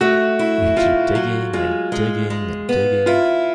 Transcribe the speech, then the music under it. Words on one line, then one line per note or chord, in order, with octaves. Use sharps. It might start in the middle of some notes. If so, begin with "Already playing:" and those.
You can keep digging and digging and digging.
A3 F#4
E4
A3 F4
F#3
G#3 F4
G#3
G#3
B3
E4 F4